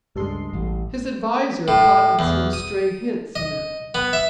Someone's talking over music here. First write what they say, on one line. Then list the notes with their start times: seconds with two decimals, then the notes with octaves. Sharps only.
His adviser caught at some stray hints in it.
0.16 C#2 G2 G#3 A4 C6
0.54 A1
1.68 A2
2.19 E2
2.53 D#6
3.35 D#5
3.94 B3
4.13 E5